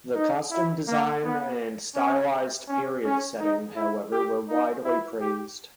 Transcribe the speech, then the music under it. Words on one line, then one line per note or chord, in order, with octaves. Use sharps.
The costume design and stylized period setting however were widely praised.
D#4
E4
A#3
B3
C#4
C#4
C#4
D#4
E4
G4
D#4
E4
G4